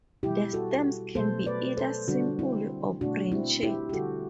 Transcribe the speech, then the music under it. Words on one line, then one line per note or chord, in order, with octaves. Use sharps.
The stems can be either simple or branched.
B2 G3 E4 G4
F#4 A4
B2 F#3 A3 A4 C5
B4 D5
A4 C5
D3 G3 D4 F#4
C4 E4
B2 A3 D4 F#4
C4 E4
E4 G4
G4
D3 G3 F#4 A4